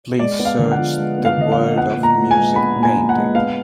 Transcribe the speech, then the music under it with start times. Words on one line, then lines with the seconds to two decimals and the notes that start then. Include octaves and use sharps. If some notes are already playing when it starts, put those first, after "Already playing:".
Please search The World of Music painting.
0.19 G#3 D5
0.39 B3
0.45 F5
0.59 D3
0.71 F#5
0.79 F3
0.98 G#3
1.18 B3
1.25 F5
1.37 D3 D#5
1.52 F5
1.58 F3
1.77 B3 F#5
1.97 A#2
2.03 A#5
2.17 A#2
2.31 G#5
2.37 G#3
2.56 B3 B5
2.76 A#2
2.83 G#5
2.96 A#2
3.09 F#5
3.16 G#3
3.35 B3 F5